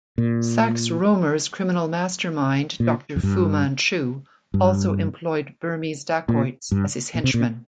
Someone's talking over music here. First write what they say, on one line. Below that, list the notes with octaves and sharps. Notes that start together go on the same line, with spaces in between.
Sax Rohmer's criminal mastermind Doctor Fu Manchu also employed Burmese dacoits as his henchmen.
A#2
A#2
F2
G2
G2
A#2
G2
A#2
C3
A#2